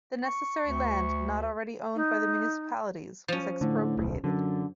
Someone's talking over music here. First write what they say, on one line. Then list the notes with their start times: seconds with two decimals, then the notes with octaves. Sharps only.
The necessary land not already owned by the municipalities was expropriated.
0.25 C#6
0.66 D2
1.96 D#4
3.28 F3 C#4
3.61 A2 D3
3.97 D1 B1
4.24 F#2 D3